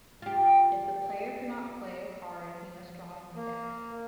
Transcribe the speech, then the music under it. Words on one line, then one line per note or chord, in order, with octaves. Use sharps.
If the player cannot play a card, he must draw from the deck.
F4 G4
A#3